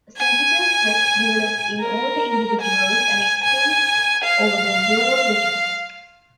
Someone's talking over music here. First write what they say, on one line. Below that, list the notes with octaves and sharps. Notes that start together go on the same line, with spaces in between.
A sagittal crest developed in older individuals and extends over the brow ridges.
G#5
A#4
G#5
G#5
F5